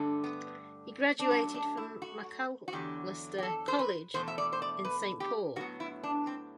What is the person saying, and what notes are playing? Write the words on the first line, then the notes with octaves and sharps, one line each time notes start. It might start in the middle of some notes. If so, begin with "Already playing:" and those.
He graduated from Macalester College in Saint Paul.
Already playing: G2 D3 A3
B3
D4
F#2 F#3 A3 C4
D4
E4
F#4
F#4
E2 D3 F#3 G4
G4
A4
C5
B4
E2 B2 A3 C5
E5
D5
C5
D5
B4
G4
A2 F#3 B3 F#4
E4
D4
C4